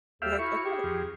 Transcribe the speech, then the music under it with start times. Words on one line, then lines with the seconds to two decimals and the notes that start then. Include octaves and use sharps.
'cause I I just wanna
0.22 D#2 G4 A4 E5 F5
0.39 E4 F#4 C#6
0.64 G4 G#4
0.84 F2